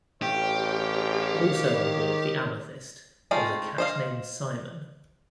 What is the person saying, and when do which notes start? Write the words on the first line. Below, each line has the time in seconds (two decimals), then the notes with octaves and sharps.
Also onboard the "Amethyst" was a cat named Simon.
0.22 A1 G4 C#5 F5
1.35 D#3
3.31 G#3 A3 C4 D#4 F4
3.78 C5 D#5 F5